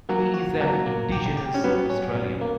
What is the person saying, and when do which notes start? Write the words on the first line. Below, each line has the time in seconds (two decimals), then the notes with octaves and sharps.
He is an Indigenous Australian.
0.09 F#3 A#3
0.34 F#4
0.60 F#3 A#3
0.86 A#3
1.12 G4
1.37 G4
1.54 C#4
1.64 F#3 B3
1.90 C#4
2.14 B2
2.41 A#3